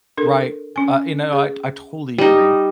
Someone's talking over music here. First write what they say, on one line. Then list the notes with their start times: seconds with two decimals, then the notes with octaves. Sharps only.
Right. Uh, you know, I I totally agree.
0.17 D4 A4 A#4
0.76 C#4 G#5
1.33 G#4
2.18 G3 D#4